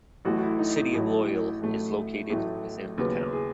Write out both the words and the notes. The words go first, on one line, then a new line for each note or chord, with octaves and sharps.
The City of Loyal is located within the town.
A1 A2 F#3 A3 F#4
F#4
E4
D#4
D#4
A1 A2 F#3 A3 E4
A1 A2 F#3 A3
A1 A2 F#3 A3
D#2 C#3 F#3 B3
G#4